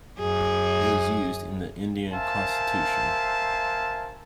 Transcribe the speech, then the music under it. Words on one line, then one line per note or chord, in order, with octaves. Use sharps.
It is used in the Indian Constitution.
F#2 G#4
A#4 C5 E5 F5 G#5 A5